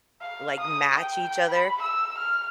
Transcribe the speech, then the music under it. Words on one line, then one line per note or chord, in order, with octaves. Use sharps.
like, match each other.
F5
D#6
G5
B5
E6
F6